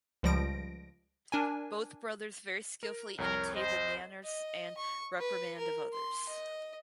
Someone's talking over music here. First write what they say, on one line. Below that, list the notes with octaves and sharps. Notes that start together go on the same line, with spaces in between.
Both brothers very skillfully imitated the manners and reprimand of others.
C#2 F3 G3 A#6 D7
D4 A#4 G#5
A#4
C2 F2 A#4 C#5
C5 D#5
D#5
C#6
B4
A#4
C6
D#5